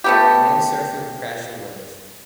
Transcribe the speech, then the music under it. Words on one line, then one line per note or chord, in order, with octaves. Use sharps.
A man surfing a crashing wave.
A3 B3 G4